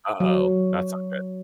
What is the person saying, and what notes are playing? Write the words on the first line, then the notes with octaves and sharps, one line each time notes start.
Uh-oh, that's not good.
F#3